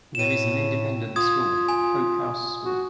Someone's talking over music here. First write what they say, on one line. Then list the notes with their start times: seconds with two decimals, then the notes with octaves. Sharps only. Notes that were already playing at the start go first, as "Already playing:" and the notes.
There is an independent school, Hope House School.
0.15 A2 D#7 E7
1.16 F4 D#6 G#6
1.68 G#5
2.65 F#4